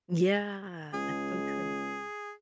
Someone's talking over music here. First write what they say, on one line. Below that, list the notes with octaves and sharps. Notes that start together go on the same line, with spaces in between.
Yeah, that's so true.
C#2 G#4